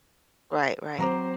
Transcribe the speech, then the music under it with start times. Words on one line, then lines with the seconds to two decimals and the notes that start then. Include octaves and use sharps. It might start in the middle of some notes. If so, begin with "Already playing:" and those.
Right, right.
0.98 F#3 C4 C5 A#5 D6